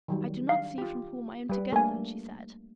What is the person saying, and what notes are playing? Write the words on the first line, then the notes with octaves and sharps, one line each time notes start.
"I do not see from whom I am to get them," she said.
D#3 F#3 G3
D4 F5
F4 G4
G3 B4
A3 A#3 D4 A4 G#5